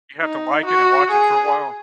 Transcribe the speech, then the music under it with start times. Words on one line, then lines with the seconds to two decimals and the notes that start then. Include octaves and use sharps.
You have to like it and watch it for a while?
0.22 D#4
0.65 F#4
1.10 G#4